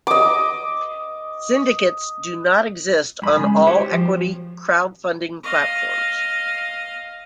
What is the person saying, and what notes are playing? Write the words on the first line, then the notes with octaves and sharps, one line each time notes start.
Syndicates do not exist on all equity crowdfunding platforms.
D#5 D6
G2 B5
C#3 G#3
F#4 G4 C5 C#5
F3
D#5 F5